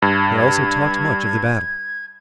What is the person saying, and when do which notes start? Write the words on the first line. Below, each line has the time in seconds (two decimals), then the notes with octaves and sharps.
They also talked much of the battle.
0.02 G2 G#6
0.37 G#6